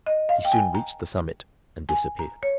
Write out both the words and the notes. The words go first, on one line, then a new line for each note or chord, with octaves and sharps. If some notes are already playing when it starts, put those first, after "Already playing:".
He soon reached the summit, and disappeared.
D#5
F5
G5
G#5
A#5
G#5
A#5
C#5